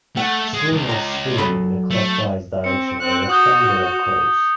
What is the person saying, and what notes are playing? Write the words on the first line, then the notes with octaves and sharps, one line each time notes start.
Swimmers swim in a clockwise direction on a rectangular course.
A3 F#5
G#3
C#2
A#5
F#3 A4 B5
A3
C4 C#7
C4 F#6
F#4 D#6 G6 G7